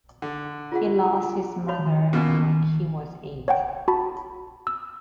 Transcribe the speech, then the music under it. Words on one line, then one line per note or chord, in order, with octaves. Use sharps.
He lost his mother when he was eight.
D3
F4 G#4 F#5
F#4 C#5 B5
B2 A#3 C#4 F4 F#4 G#5
C#5 F#5 G5
F#4 A5 B5
E6